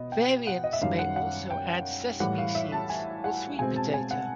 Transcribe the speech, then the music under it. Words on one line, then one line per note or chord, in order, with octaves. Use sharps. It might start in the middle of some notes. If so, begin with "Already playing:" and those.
Variants may also add sesame seeds or sweet potato.
Already playing: B2 B3 D#5
G5
F#5
D#5
E5
F#2 D#3 G3 F5
F#5
F#5
G5
A2 E3 G3 F#5
F5
E5
A5
G#5
F#5
B2 G#3 C4 G#5
A5
G#5
F#5